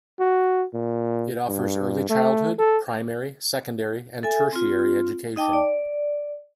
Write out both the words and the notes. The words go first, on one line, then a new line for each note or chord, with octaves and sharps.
It offers early childhood, primary, secondary and tertiary education.
F#4
A#2
G2
A3
A4
A4 E5 G#5
C4 F4
D#4 D#5 G5 A5 D6
D5